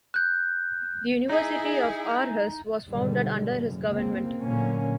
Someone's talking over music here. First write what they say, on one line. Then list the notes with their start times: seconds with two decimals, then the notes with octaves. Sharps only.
The University of Aarhus was founded under his government.
0.14 F#6 G6
1.30 D#4 E4 G#4
2.90 G#1 G#2 B2 D3 D#3 G3
3.55 F#1 F#2
3.87 C#2 A#3 C4
4.40 A1 A#2 D3 F#3 A#3 C#4